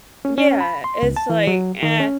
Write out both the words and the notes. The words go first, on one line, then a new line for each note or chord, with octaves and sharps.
Yeah, it's like, "Eh,
C#4
C#4
B5
C6
C#2
A5
E3
F#3
D#3
C#4